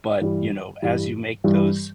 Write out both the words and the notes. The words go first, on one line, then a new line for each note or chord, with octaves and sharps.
But, you know, as you make those,
G2 E3 G3
G2 E3 G3
G2 E3 G3